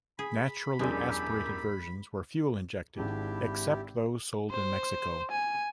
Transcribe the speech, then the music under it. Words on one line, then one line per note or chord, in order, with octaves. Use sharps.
Naturally aspirated versions were fuel injected, except those sold in Mexico.
G#4 B5
E1 F#2 G#3 D4 G4
G#1 G#3 D4 E4 G4
C5
G#5